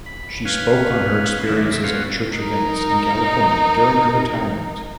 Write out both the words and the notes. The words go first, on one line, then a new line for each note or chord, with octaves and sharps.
She spoke on her experiences at church events in California during her retirement.
B5
C#4 B4 F5
D#3 F3 F#3 A3 D4 E4
G2 C3 A3 E5
B3 C#4 F#4 A4 C5 F5
D#4 A#4